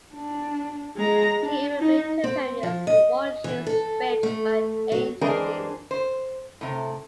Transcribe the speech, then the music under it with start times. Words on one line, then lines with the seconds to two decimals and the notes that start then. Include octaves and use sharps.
She even made two appearances in Wong Jing's "Raped by an Angel" series.
0.13 D4
0.97 G#3 A#5
1.40 D4
1.80 D#4
2.24 C4
2.63 F3
2.87 D#5
3.44 E3
3.67 A4
4.23 A3
4.92 F#3
5.21 E3 G#3 C4 D4 G#4 A#4
5.91 C5
6.61 A2 C3